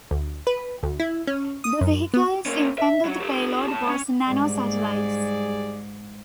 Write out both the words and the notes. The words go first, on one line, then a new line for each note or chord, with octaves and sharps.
The vehicle's intended payload was nano-satellites.
D2
B4
D2
E4
C#4
D#6
F#2
B3
A#3 C#4
E5
F#3
G4 A4
A2 A5
C#4
G#2 G3 G#4 D5